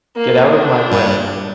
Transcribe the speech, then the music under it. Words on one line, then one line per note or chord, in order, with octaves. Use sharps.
Get out of my way.
A#3
D4
G2 G3